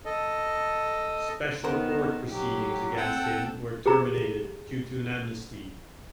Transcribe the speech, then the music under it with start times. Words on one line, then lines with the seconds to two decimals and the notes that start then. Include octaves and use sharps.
Special court proceedings against him were terminated due to an amnesty.
0.05 A4 D#5
1.64 D#3 B3 A#4 C5
2.29 F#3 G4
2.97 C4 A4 F#5 G5
3.86 G4 G#4 A#5